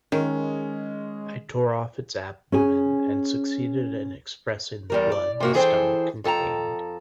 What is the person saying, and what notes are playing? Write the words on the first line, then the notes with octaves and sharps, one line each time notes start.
I tore off its abdomen and succeeded in expressing the blood the stomach contained.
D#3 G#3 C#4
C#4 G#4 G#5
E2 G3 A#4
D5
C3 A#3 F#4
E3 G#4 A4 C5 G5
F2 A4 G5 A5 A#5